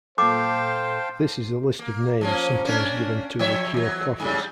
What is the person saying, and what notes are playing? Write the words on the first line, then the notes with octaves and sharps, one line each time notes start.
This is a list of names sometimes given to liqueur coffees.
A#2 A4 C5 F5 G5 A5 D6
A#3
F3 A#3 C#4
A#3 C#4 D4
F3 C#5 E5
E2 F#3
G#2 C#3 G3